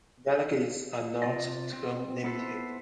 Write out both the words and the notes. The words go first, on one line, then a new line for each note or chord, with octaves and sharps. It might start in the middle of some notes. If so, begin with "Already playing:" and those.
Delegates are not term-limited.
C3 A#3 F4 D5 D#5
C4
B3 E4 A4 B4 C5